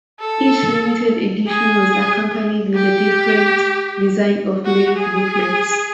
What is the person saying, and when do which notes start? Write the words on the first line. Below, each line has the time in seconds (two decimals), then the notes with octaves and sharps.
Each limited edition was accompanied with the different design of lyric booklets.
0.20 A4
1.47 G#4
2.75 G4
4.65 F#4
4.97 G#4